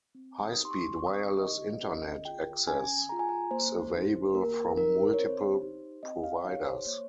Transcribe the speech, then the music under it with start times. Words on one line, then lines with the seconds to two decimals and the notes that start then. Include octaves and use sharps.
High speed wireless Internet access is available from multiple providers.
0.15 C4
0.44 D#6
0.57 D#4 G4
0.65 C6
0.71 C#6
0.99 C4 C#6
1.07 D#6
1.14 C#6
1.41 D#4 G4 D#5
1.82 C#4 D#5
2.25 F4 G#4 G5
2.67 C#4 G#5
3.09 F4 G#4 A#5
3.19 G#5
3.29 A#5
3.51 A#3 C5
3.93 D#4 G4
4.34 A#3 A#4
4.76 D#4 G4 A#4
5.14 C#5
5.19 C4 C5
5.61 D#4 G4
6.03 C4 D#5
6.24 F5
6.44 D#4 G4 C#5
6.65 C5
6.86 A#3 C#5